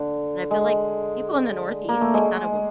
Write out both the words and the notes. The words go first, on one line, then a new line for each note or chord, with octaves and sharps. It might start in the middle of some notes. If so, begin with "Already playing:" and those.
and I feel like people in the Northeast, they kind of will
Already playing: D3
G#3
A#3
A3
G#3